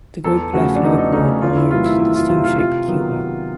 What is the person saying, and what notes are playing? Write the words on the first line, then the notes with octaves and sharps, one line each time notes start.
The group left Liverpool aboard the steamship "Cuba".
E2 A4
C#3 F3 A3 C#4 F#4
D4
E2 D#4
D#4
C#3 F3 A3 C#4 D#4
E2 F4
E4
C3 D#3 F#3 A3 F4
E4
E2 E4
F4
C3 D#3 F#3 A3 F4
F4
C3 F4
D#3 F#3 B3
C3